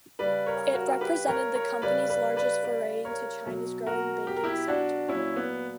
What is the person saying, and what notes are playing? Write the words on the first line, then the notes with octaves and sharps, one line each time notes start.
It represented the company's largest foray into China's growing banking sector.
C#3 G3 B4 D5
A#4 C#5
F#4 A#4
G4 B4
A#4 C#5
A#4 C#5
C#3 G3 B4 D5
B4 D5
B4 D5
B4 D5
A#4 C#5
B2 F#3
F#4 A#4
G4
A#4
E4 G4
D4 F#4
A#2 F#3 C#4 E4
B3